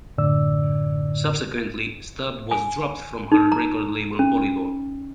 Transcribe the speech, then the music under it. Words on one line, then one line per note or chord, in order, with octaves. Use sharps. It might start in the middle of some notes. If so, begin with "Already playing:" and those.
Subsequently, Studt was dropped from her record label Polydor.
F#2 A2 D3 D5 E6
G#5
D#4
A#5
C#4